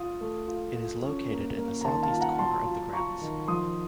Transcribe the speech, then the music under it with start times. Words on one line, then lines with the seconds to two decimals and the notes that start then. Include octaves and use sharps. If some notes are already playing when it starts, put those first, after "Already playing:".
It is located in the southeast corner of the grounds.
Already playing: F4 D#6
0.21 A3
0.48 F4
0.76 F4
1.03 C#4
1.31 A#3
1.58 A#3
1.81 A#5
1.84 D#3 A5 C6
2.03 F5 A5
2.12 F4
2.21 F#5 A#5
2.39 F#3 A5 C6
2.66 F4
2.93 F4 A#5 C#6
3.21 D#3
3.48 F3 C6 D#6